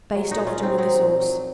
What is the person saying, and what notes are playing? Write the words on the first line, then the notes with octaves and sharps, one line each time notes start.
Baste often with the sauce.
F#3
D#4 F#4
A#2
C#4 F4
F#3 C4 D#4
F#3 C4 D#4
A#2
F#3